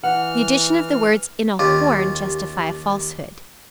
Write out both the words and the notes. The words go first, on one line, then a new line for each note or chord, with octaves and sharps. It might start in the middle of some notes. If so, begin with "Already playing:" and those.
The addition of the words "in a horn" justify a falsehood.
E3 F#5 F6
D#2 C#4 F4 G4